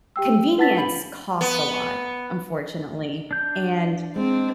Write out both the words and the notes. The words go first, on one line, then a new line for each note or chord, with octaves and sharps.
convenience costs a lot, unfortunately, and
G4 G5 E6
B4 F#5 A5 A6 B6
D4 B5 F#7
B3
D4 G6
G#3 C4